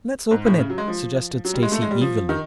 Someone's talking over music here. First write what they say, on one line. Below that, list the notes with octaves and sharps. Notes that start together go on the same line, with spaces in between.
"Let's open it," suggested Stacy eagerly.
G#2
A2
C#3
F#3
G#3
F3
F#3
G3
G#3
A3
G#3
G3
F3
D#3